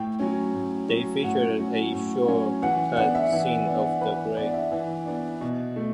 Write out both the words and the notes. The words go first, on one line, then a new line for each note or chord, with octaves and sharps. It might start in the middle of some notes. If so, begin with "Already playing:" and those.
They featured a short cut scene of the grave.
Already playing: A2 G5
F#3 C#4
A2
F#3 C#4
A2 F#5
F#3 C#4
A2
F#3 C#4
E3 F#5
B3 D4 F#5
E5
E3
B3 D4
E3 B4
B3 D4 D5
E5
E3
B3 D4
B2
A3